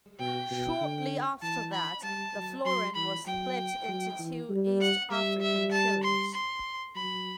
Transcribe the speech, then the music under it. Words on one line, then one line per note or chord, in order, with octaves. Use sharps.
Shortly after that, the florin was split into two East African shillings.
B2 G5
B2
D3
E3 A5
B5
G3 A5
F#3
F#3 C6
E3 B5
F#3 G5
F#3
E3
G3
F#5
G3 E5
E5
A5
C6
C6
F#3 B5